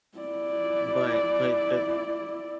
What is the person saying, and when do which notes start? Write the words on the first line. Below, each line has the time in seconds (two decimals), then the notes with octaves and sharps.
But but the
0.18 E4 D5